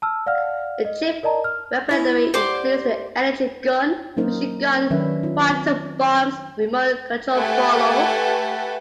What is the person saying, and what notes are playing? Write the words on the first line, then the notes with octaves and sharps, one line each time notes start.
The chip-weaponry includes the Energy Gun, Fusion Gun, Quantum Bombs and Remote-Controlled Bolo.
A5 E6 F6
D5 F5 F#5 F6
D#5
A#4 D5 D#5 A5 A#5
F6
D#4 E4 C#5
G4 C5 D5 F#5 D6
F#3 A#3 C#4 D#4 A#4 C5
D#3 F#3 C#4 D4 B4 E5
D#4 F4
C4
A3 G4 A4 B4 F#5 G#5